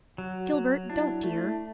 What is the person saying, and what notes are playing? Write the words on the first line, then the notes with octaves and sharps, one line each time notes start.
Gilbert, don't, dear!
F#3 F#4
F#3
D4 E4
A3